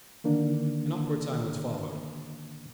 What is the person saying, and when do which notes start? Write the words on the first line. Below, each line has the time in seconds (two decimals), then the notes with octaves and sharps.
An awkward silence followed.
0.24 D3 D#3 A#3 D4